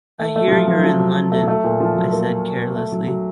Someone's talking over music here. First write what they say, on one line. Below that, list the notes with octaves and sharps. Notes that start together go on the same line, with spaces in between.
"I hear you're in London," I said carelessly.
A3
A3
F3
F#3
F3
F#3
F3
F#3
A3
F#3
A3
A#2
F3
F#3
A#3
A3
F#3
F#3